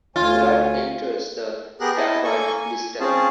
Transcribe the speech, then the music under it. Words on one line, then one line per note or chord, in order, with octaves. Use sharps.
Blood enters the scaphoid distally.
D2 F4 C#5 G#5
B3 G4 G#4 A#4 F#6
E4 D#5 A5
A#3 A4 G#5 C#6
G#5
C4 C#4 F4 G#4 A5